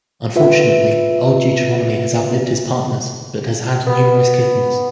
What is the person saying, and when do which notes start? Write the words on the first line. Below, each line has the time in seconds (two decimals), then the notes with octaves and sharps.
Unfortunately, Old Deuteronomy has outlived his partners, but has had numerous kittens.
0.36 F4 B4 E5
3.87 B3